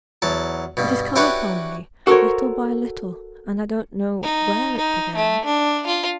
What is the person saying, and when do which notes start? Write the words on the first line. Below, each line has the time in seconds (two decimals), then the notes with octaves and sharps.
It has come upon me little by little, and I don't know where it began.
0.22 E2 F#3 A5
0.77 G2 B2
1.16 D4 E4 F#4 G4 B4 C#5
2.07 F#4 A4 A#4 C5 C#5
4.23 D#4
4.77 D#4
5.16 A3
5.45 D4
5.86 F4